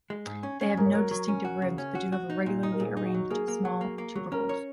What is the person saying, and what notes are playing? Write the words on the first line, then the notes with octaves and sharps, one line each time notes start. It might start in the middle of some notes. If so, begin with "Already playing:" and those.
They have no distinctive ribs, but do have regularly arranged small tubercles.
G#3
G#2
C#4
C#4
G#2 A#4
C#5
F#3 A#4
F#3
C#4
F#4
C#3
C#4
F#4
F#4
D#4
A#2
D#4
A#4
A#2 G#4
D#4
F#4
F#3
A#3 G#4
A#3
F#3
A#3
A#3
F#3
C#4 A#4
C#5